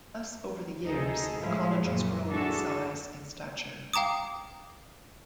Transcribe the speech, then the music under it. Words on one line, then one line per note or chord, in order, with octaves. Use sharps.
Thus over the years, the College has grown in size and stature.
D2 D#4 G#4 A4
A2 F3 G#3 E4 G#4 F5
F#2 A#2 D#3
E3 D4 F#4 G#4 A4
F5 G5 A#5 D6 D#6